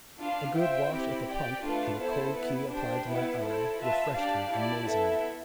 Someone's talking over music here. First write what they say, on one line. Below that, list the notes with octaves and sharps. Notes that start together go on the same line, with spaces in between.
A good wash at the pump, and a cold key applied to my eye, refreshed me amazingly.
D4 F4 B4 F5
F4 C5 E5 G5
C4 E4 G4
G4 D5 G5
A3 D4 F4 B4
B3 E4 A4 C5
B3 E4 B4
D4 G4 C5 G5
B3 E4 B4
E4 A4 C5
F4 B4 E5 A5
D4 G4 D5 F5 A5
E4 G4 D5 A5
B3 E4 A4 E5